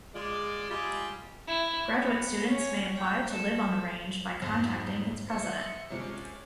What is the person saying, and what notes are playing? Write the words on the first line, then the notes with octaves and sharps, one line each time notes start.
Graduate students may apply to live on the Range by contacting its president.
G#3 F4 D5
G3 G#3 F4 G4 G#4
E4
B3
C#4
G5
A4
F2 G#2 D#4
C5 D#5 E5 C#7
C3 F3 G#3 C#4 D5